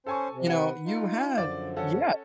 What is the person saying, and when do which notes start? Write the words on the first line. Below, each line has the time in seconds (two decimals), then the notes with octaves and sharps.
You know, you had Yeah,
0.07 C#4 A4 C5 G#5 C#6
0.32 C3
0.47 B4 F#5
0.85 D#4 F4
1.38 F#2 D3 F3 D5
1.76 C#4 A4 F#5